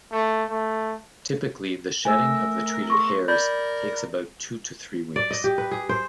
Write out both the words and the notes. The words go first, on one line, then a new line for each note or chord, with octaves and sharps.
Typically the shedding of the treated hairs takes about two to three weeks.
A3
A3
A3 A#4 G#5 E6
G#4 C6 C#6
A#4 D5 B5 G6
D5
D#5
G4
B4
G#4
C5